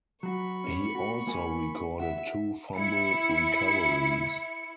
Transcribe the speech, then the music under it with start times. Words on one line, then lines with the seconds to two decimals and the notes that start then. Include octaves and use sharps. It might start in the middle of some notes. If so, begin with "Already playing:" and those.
He also recorded two fumble recoveries.
0.23 F#3 F#4 B5 C#6
0.64 G3 C#4
0.95 F#4
1.27 A#3 A#4 G#5
2.00 E5 F#5
2.75 E4 C#7